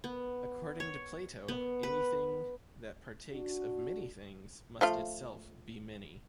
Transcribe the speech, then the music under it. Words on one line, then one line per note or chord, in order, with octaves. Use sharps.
According to Plato, anything that partakes of many things must itself be many.
B3
C#5
B3
B4
D4 F#4
F3 A3 F4